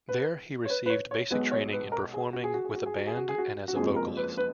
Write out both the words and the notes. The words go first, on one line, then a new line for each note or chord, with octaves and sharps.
There, he received basic training in performing with a band and as a vocalist.
B4
C#5
B4
B4
C#5
C#5
B1 B2 G#3 B4
C#5
B4
A#4
G#4
F#4
G#4
F#4
G#4
F#4
G#4
F#4
G#4
F#4
G#4
F#4
F#4
F#1 F2 F3 G#3 G#4
A#4
B4
B4